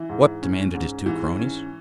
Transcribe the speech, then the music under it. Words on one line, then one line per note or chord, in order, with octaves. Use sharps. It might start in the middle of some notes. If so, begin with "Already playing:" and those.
"What?" demanded his two cronies.
Already playing: E3 E4
G#2
C#4
G#2
G#2 E3
C#4